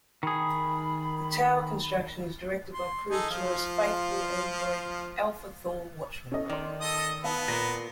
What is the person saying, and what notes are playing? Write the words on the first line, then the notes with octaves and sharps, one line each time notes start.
The tower construction is directed by Krug's most faithful android, Alpha Thor Watchman.
D#3 G#4 B5
C6
D#4 G#4 A4
F3 F4
C#4 A4 D#5
D#3 D5 C6
A4 D#5 D#6
B3 F5 A5
A#2 A#3 A#6